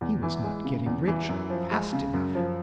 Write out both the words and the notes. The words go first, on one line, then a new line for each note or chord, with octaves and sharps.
He was not getting rich fast enough.
E2
E3
G#3
C#3
E2
E3
F#2
F3
G#3
C#3
F#2
F3